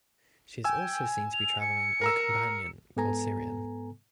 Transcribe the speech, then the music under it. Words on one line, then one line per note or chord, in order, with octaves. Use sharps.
She is also seen to be travelling with a companion called Cyrian.
G5 G#5 E6
F7
C#7
A#4 A#5 E6
G#2 B3 A4 G#5 A#5